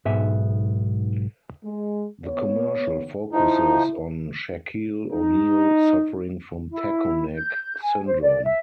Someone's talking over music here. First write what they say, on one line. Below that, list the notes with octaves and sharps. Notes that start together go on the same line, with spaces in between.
The commercial focuses on Shaquille O'Neal suffering from Taco Neck Syndrome.
B1 G#2 B3 E5
G#3
B3 C#5
F3 D#4 E4
D#4
E4
G6
G#5
C5
D5
E5